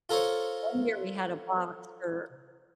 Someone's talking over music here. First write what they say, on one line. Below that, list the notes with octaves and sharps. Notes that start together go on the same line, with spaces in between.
One year we had a box for
F4 A4 A#4 C5 C#5